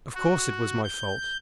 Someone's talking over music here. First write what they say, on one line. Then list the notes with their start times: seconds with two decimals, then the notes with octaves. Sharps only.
Of course it was my fault.
0.15 F#4
0.83 G6